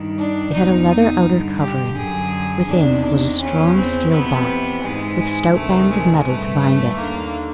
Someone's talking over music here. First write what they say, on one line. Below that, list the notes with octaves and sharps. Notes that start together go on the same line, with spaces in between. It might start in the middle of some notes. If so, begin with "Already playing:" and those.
It had a leather outer covering; within was a strong steel box, with stout bands of metal to bind it.
Already playing: G2 D#3
D4
E2 B2 D#4
D#4
G2 D3
G4
F#2 D3 G#4
E2 C3 D#3 D4
D4
E2 C#3 E3 C#4
C4
F2 C3 E3 B3
G#2 E3 G#3
G#3
D2 C3 D#3 A3
G#3
G2 E3 A3
A3
D#2 D3 A#3